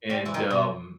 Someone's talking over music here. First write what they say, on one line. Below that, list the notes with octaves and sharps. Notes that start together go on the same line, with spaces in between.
And, um,
G3 G4
E3 E4
D#3 D#4
B2 B3